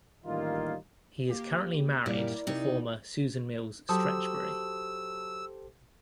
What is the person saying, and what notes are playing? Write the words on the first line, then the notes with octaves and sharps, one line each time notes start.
He is currently married to the former Susan Mills Stretchberry.
A1 D#3 G3 A#3 D#4 F4
A#3 G4
F#2 A#2 G3 E4 A#4 D5
C3 D#4
F#3 G4 A4 C5 A5 D#6 E6